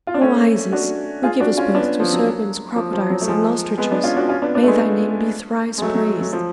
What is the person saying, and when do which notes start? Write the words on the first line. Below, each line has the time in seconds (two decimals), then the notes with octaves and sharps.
O Isis, who givest birth to serpents, crocodiles, and ostriches, may thy name be thrice praised.
0.07 F4
0.14 D4
0.21 A3 C#4
0.72 D4 F#4
1.23 F4 G#4
1.40 D4 F#4
1.58 C#4 F4
1.75 B3 D4
2.00 F3
2.13 F#3
2.76 F3
2.93 F3
3.10 F#3
3.21 A3
3.28 F3 G#3
3.78 G#3 B3
3.91 B3 D4
4.04 C#4 F4
4.17 D4 F#4
4.29 C#4 F4
4.42 B3 D4
4.54 B3 D4
4.63 A3
4.67 G#3 B3
5.78 G#3
5.82 F#3 A3
5.94 F#3
6.20 F#3
6.33 F3